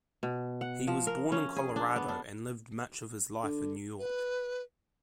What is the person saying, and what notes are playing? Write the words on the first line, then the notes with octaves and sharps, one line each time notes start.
He was born in Colorado and lived much of his life in New York.
B2
F#5
F3
A#4
C#4
G#4
D4
B3
D4
D3
B4